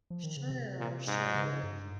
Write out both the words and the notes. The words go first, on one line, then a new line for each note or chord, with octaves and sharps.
Sure. Sure.
F3
D#3
C#3
C3
A#2
G#2
C#3
G2